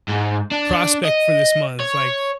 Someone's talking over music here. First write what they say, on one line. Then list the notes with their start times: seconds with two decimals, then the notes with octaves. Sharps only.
prospect for this month, like,
0.09 G#2
0.51 D4
1.05 D#5
1.80 C#5